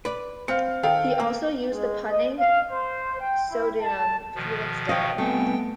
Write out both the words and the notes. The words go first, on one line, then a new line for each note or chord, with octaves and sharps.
He also used the punning pseudonym Felix Dale.
B4 D5
C4 F5 F6 C#7
D#3 A4 F5 G5
A#3
G#3
D#5
F5
C5
G5
E4
A5
B2 D#3 F3
C#5 D#5 F5 G5
G3 A3 B3 C4 G5 G#5